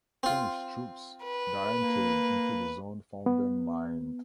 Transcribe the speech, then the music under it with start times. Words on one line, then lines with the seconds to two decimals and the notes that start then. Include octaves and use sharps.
Finnish troops that entered into the zone found them mined.
0.23 C4 F4
1.24 B4
1.81 A#3
3.26 B3